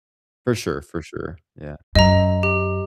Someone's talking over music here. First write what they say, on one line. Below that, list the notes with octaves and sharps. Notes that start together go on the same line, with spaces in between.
For sure, for sure. Yeah.
F#2 D#5 A#5
G4